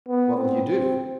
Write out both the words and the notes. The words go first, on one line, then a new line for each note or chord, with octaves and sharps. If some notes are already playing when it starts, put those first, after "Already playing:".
"What'll you do?"
B3
C4
C4